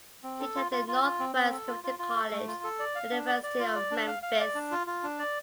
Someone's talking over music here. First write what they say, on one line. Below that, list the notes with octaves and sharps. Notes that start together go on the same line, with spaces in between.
He attended Northwest Community College and the University of Memphis.
C4
A4
F4
F4
F4
F4
C4
C4
A4
F4
F4
F4
A4
A3
F4
A4
D5
F5
D4
D5
D5
F4
D5
D4
F5
F5
D5
D4
F4
F4
D4
D5